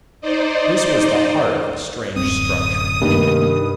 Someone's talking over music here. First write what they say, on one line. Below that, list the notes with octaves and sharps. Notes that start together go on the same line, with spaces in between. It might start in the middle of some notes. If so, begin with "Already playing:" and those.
This was the heart of the strange structure.
D#4 C5 D5 D#5
D1 F#2 C4 D#6
G2 C3 D#3 A3 A#3